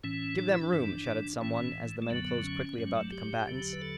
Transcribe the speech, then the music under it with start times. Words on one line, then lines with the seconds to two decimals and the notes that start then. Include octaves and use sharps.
"Give them room," shouted some one, as the men closed quickly about the combatants.
0.04 A2 E3 C#4
0.38 D4
0.50 E4
0.61 D4
0.73 G2 E3
1.41 A2 E3 C#4
2.02 A3
2.10 F#2 D3 F#3 B3
2.44 C#4
2.73 B3
2.78 G2 F#3 C#4
2.95 A3
3.12 G4
3.47 E2 D3 F#3
3.73 B4
3.81 A4